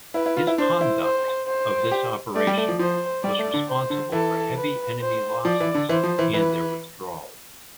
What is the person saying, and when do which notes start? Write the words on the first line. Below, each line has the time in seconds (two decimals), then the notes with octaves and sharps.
His conduct of this operation was responsible for heavy enemy losses and their withdrawal.
0.14 E4 B4
0.26 E4
0.37 F4
0.47 E4
0.58 D4 C5
0.81 E4
1.03 C5
1.47 C5
1.91 G4
2.36 A3 D5
2.47 G3
2.57 A3
2.69 F3
2.79 F3 C5
3.24 G3 D5
3.39 A3
3.53 D3
3.69 C5
3.90 D3
4.12 E3 A4
4.56 B4
5.01 C5
5.45 F3 D5
5.60 E3
5.75 D3
5.89 E3 C5
6.04 F3
6.19 E3
6.34 E3 B4